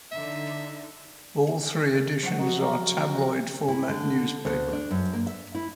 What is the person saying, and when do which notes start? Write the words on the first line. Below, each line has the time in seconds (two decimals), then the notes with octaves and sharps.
All three editions are tabloid format newspaper.
0.12 D3 D#4 E5
2.23 F3 F#3 D5 F#5
2.38 F#4 A#4 D#5
2.61 A#4
3.14 D#5
3.68 E4
3.89 D3
4.45 D2
4.73 D4
4.91 F#2
5.13 A#3
5.27 E5
5.55 E4